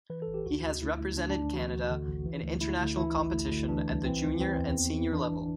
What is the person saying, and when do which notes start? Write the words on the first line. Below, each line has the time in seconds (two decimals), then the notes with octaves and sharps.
He has represented Canada in international competition at the junior and senior level.
0.10 E3 B4
0.22 A4
0.28 A1
0.34 G4
0.46 D2 F#4
0.64 D2
0.82 D2 E4
1.00 D2
1.17 D2 D4
1.30 D4
1.35 D2
1.53 E3 F#4
1.72 D2
1.90 D3
2.07 A1
2.26 E3
2.43 D2
2.61 D2 E4
2.80 D2
2.97 E3 E4
3.15 A1
3.33 D2
3.52 D2
3.69 E3 D4
3.87 C2
4.05 E3 C4
4.23 D2
4.40 E3 C4
4.59 E2
4.77 E2
4.94 E2
5.12 E3 D4
5.31 G1